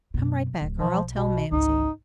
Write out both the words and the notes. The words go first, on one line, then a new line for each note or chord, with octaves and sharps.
"Come right back, or I'll tell mamsie!"
F#2 B2
D1
B1 F3
B2
G#1 C#2 D#4